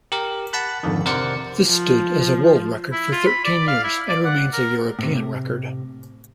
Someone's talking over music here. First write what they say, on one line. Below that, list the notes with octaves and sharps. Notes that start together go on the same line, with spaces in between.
This stood as a world record for thirteen years and remains a European record.
G4 A#4
F#5 A5 B5 F#6
G#1 F2 D3 D#3
C3 A#4 C5 D5 F#5 C#7
F3
E4
F4
B5
D5
F5
E4
D5
F#5
A#4
A2 C3